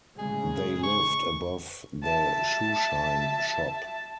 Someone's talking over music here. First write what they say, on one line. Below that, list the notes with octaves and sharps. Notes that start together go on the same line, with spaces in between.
They lived above the shoeshine shop.
A2 C#3 G#3 G#4
C#6
E5 A5